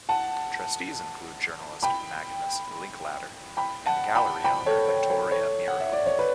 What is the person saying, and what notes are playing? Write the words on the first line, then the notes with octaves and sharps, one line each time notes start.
Trustees include journalist Magnus Linklater, and gallery owner Victoria Miro.
F#5 A5
G5 B5
G5 B5
F#5 A5
G5 B5
G5 B5
A4 C#5
A4 C#5
A4 C#5
A4 C#5
F#5
E5
D5
C#5
B4